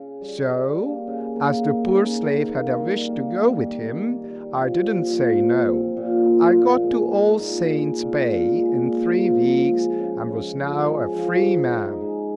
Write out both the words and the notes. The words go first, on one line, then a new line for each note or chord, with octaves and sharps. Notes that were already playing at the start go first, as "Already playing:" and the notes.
So, as the poor slave had a wish to go with him, I did not say "no." I got to All Saints' Bay in three weeks, and was now a free man.
Already playing: C#3
G3
G3
A#3
C#3
A#3
D#4
C#3
D#3
A#3
G3
A#3
G3
D#3
D#3
G3
F3
A#2
F3
A#2
C4
A#2
A#2
A#2
G#3
D#4
A#2
G#3
A#2
A#2
G#3
A#2
F3
F3
G#3
C#3
C#3
F3
G#3
F3
D#4
D#4
G#3